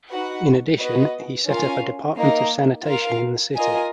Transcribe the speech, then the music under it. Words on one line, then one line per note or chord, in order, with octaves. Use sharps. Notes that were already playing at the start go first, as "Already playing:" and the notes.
In addition, he set up a department of sanitation in the city.
D#4 F#4 B4 F#5
B3 F#4 B4 D#5
C#4 F4 A#4 F5 G#5
A#3 D#4 A#4 D#5
F4 A#4 F5
F4 A#4 D#5 G#5